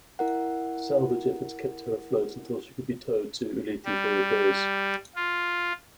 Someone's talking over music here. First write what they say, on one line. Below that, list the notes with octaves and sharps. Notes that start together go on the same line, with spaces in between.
Salvage efforts kept her afloat until she could be towed to Ulithi for repairs.
E4 A#4 F#5
G3
F4